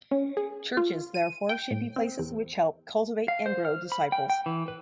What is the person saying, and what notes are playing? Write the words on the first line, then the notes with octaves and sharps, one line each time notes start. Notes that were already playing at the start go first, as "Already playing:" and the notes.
Churches, therefore, should be places which help cultivate and grow disciples.
C#4
G#4
F4
D#7
G5
A2
C4
E2
F5
C5
F6
B5
G5
G5
E3
B4